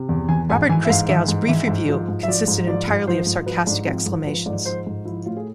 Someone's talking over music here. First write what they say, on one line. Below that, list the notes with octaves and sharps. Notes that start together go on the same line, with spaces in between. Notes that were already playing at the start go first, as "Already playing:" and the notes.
Robert Christgau's brief review consisted entirely of sarcastic exclamations.
Already playing: C3
E2
E3 G#5
G#2 G#5
E3 G#5
E5
G#2 F5
E3 E5
G#2
E3 E5
G#2
F3
G#2
E5
F3 D5
G#2
F3 D5
G#2
F3 C5
G#2
F3 B4
G#2 D4
F3 C4
G#2
F3 B4
G#2 D5
F3 C5
G#2
F3 E4
A2 F4
G#4